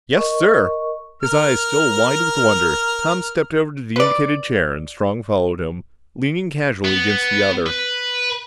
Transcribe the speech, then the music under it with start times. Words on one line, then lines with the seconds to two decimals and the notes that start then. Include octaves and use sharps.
"Yes, sir." His eyes still wide with wonder, Tom stepped over to the indicated chair and Strong followed him, leaning casually against the other.
0.16 A#4 D#5 C#6
1.23 A#4 F6
3.96 B4 D5
6.85 B3
7.67 B4